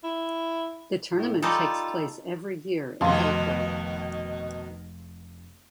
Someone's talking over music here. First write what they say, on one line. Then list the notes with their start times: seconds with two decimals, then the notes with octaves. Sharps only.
The tournament takes place every year in April.
0.04 E4
1.14 A2
1.42 G3 D#4 F4 A4
3.01 F1 B2 D#3 F5 C6